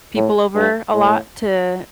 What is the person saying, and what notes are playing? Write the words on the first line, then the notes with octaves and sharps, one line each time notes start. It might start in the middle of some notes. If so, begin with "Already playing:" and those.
people over a lot to
A2
G2
A2